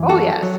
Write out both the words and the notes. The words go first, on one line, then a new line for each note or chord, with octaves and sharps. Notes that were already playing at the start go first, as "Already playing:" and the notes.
Oh, yes.
Already playing: F#2 E3
F#4 A4
F#3